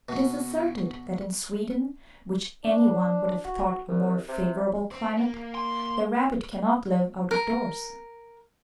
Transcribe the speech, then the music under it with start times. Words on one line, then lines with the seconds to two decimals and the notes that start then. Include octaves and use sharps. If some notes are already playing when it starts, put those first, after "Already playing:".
It is asserted that in Sweden, which any one would have thought a more favourable climate, the rabbit cannot live out of doors.
0.09 B2
2.64 D4
3.45 F#4
3.89 C2
4.28 C3
4.91 C4
5.17 A#3
5.55 C6
7.31 A#4